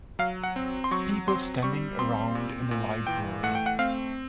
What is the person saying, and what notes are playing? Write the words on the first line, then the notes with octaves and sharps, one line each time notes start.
People standing around in a library.
F#3 F5
F#5
C4
C6
F#3 C#6
C4 C6
G3 C#6
C4 C6
A#2
A#2
E3 G5
A3 F#5
G5
F#5
C4 F5